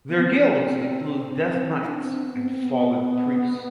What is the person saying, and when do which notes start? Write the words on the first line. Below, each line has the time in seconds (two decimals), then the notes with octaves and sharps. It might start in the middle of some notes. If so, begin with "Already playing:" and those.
Their guilds include death knights and fallen priests.
0.09 B3
0.20 C4
1.83 E4
1.86 D4
2.03 C4
2.23 C4
2.27 B3
2.43 C4
2.63 B3